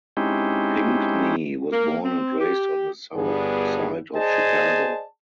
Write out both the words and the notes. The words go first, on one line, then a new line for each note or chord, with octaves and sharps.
Pinkney was born and raised on the South Side of Chicago.
G#3 C4 C#4 D#4 E4 G4
A#3
C4
G4
G1 G2 B3 D4 G#4
G#4 C5 D5 D#5 G#5 A5